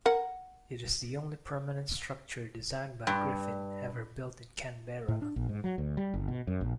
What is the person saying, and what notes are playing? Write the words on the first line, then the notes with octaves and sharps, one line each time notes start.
It is the only permanent structure designed by Griffin ever built in Canberra.
A#4 F#5
G2
A2
D4
A#1
G#2
F#3
D2
G3
G1
B2
F#2
A#1